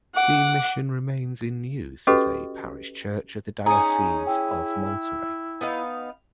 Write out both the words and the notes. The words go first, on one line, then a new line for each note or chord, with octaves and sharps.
The mission remains in use as a parish church of the Diocese of Monterey.
F#5 D6
C#4 F#4 G4 A4 B4 D#5
C#4 D#4 G#4 A#5
E4 G5
B3 D#4 F5